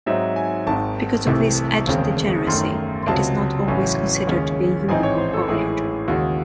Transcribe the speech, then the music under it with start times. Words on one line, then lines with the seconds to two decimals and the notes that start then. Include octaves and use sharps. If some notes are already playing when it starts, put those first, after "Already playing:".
Because of this edge-degeneracy, it is not always considered to be a uniform polyhedron.
0.06 G#2 F#3 C4 D#4 E5
0.36 G#5
0.67 G#1 G#2 D#3 A5
1.27 C2 C3 E3 A3 C4
1.87 E1 D#2 C#3 G#3 C4
2.47 F#2 D#3 A3 C6
3.03 C6
3.07 C#2 C3 F#3 A5
3.68 A1 A2 F#3 C#4 G#5
4.27 D#2 C#3 G#3 C#4
4.88 A1 G#2 E3 C4 D#4 G#5
5.03 C#5
5.18 C5
5.33 A4
5.48 A1 A2 E3 G#3 G#4
6.08 D#2 C#3 G#3 F#4